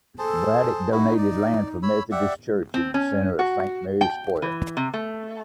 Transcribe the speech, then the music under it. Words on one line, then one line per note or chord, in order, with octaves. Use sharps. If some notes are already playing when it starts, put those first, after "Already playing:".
Braddock donated land for a Methodist church in the center of Saint Mary's square.
G#4 A4 C5 A5
D#4 E4 F#4
D5
C#5 B5 E6
G4 D5 E5 F#5
C4
C#4
F#4
G5
E3
C3
A3